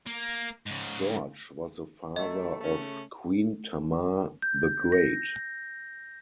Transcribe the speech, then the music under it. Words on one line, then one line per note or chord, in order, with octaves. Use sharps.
George was the father of Queen Tamar the Great.
A#3
G#2 C#3
F#3 A3 D#5
C#3 A3 C#4
G6
A#6